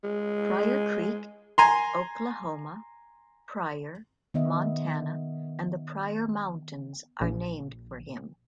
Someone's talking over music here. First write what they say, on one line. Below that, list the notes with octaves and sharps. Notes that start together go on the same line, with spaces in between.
Pryor Creek, Oklahoma, Pryor, Montana, and the Pryor Mountains are named for him.
G#3
G#5 A#5 C6
D#3 B3 D#5 E5
A#1